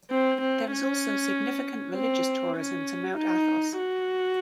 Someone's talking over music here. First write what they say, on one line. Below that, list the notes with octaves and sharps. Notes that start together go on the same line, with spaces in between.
There is also significant religious tourism to Mount Athos.
C4
C4
C#4
C4
C#4
D#4
F#4